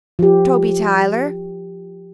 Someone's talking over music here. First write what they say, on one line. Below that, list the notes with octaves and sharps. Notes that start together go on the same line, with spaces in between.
"Toby Tyler."
F3 G4